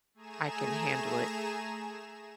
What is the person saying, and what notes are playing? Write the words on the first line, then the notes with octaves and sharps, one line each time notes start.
I can handle it.
A3 G#4 G#5 A#5 E7